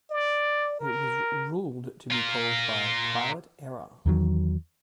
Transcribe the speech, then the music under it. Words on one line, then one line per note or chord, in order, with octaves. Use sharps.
It was ruled to be caused by "pilot error".
D5
A#4
F4 A#4
E2 D#3 F#3